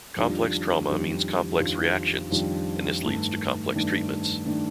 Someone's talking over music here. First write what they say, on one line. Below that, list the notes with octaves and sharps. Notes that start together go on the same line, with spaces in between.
Complex trauma means complex reactions and this leads to complex treatments.
F2 D#3 G3 D4 F4
F2 D#3 G3 D4 F4
F2 D#3 G3 D4 F4
F2 D#3 G3 D4 F4
G2 D#3 A3 D4
G2 D#3 A3 D4
D#3 A3 D4